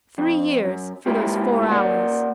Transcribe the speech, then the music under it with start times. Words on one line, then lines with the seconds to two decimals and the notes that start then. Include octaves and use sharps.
Three years for those four hours.
0.18 F2
0.65 F#2
1.06 G#3 A#3 E4 F4 G4
1.71 A#3 A#4 D5 F#5